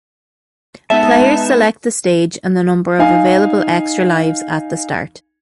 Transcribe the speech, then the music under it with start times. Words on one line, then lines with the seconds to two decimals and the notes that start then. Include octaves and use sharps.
Players select the stage and the number of available extra lives at the start.
0.90 G#3 B3 D#4 E5 A5
2.99 D#4 F5 G#5